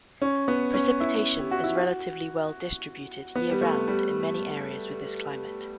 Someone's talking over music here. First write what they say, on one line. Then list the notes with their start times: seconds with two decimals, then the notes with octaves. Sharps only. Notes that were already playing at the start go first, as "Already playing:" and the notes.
Precipitation is relatively well distributed year-round in many areas with this climate.
0.22 C#4
0.48 B3
0.74 C#4
1.00 E4
1.39 G4
1.51 F#4
1.64 E4
1.76 F#4
3.35 B3
3.50 G3
3.61 A3
3.88 G3